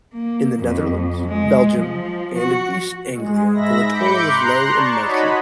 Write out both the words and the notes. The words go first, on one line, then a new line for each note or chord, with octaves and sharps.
In the Netherlands, Belgium and in East Anglia the littoral is low and marshy.
A#3
F2
G#3
F3
F#4
G#3
G#2 E5 B5 A#6
B5 D6 G6 C#7
A#5 C6 F#6
D5 A5 C#6
D#4 F#4 C#5 D#5 B5